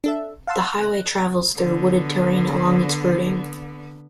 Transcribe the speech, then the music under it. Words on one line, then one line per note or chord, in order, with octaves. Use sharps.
The highway travels through wooded terrain along its routing.
D4 A4 E5
F5 F#5 A5 C6 E6
F#6 A#6
D3 B3